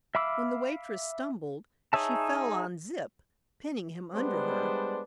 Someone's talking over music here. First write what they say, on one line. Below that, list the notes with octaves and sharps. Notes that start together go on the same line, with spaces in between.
When the waitress stumbled, she fell on Zip, pinning him under her.
E5 F5 B5 D6 E6
D#4 G#4 C#5 E5 A5
G3 G#3 B3 D4 C5